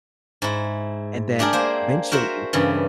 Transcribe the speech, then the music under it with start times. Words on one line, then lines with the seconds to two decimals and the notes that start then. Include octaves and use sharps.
and then, eventually,
0.42 G#2 E4
1.39 A3 D4 G4 G#4 A#4
1.53 A#3 C5
2.12 F#4 A#4 C5 E5 F#5
2.53 G2 C#3 E3